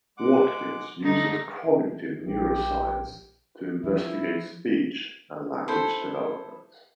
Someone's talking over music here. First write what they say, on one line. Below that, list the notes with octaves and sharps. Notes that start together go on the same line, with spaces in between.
Watkins uses cognitive neuroscience to investigate speech and language development.
G#3 F#5 D6
D3 A3 D#4
A#1 G4
F3 E4
E4 A4 C5